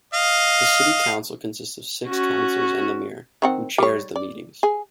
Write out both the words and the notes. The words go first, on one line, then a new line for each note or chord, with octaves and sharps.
The city council consists of six councillors and the mayor, who chairs the meetings.
D#5 F5
C#4 F#4
D#3 C4 F#5
G3 C#5
D5
G#4